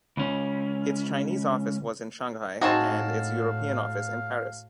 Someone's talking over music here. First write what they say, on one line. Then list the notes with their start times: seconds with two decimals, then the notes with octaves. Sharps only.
Its Chinese office was in Shanghai and its European office in Paris.
0.17 C#2 C#4
2.61 A2 C4 D#4 F#4 G#4 F5 A5